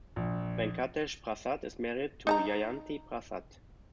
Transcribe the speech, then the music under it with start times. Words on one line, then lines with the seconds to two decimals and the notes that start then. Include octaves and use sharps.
Venkatesh Prasad is married to Jayanthi Prasad.
0.16 A#1
2.27 D#4 A5 A#5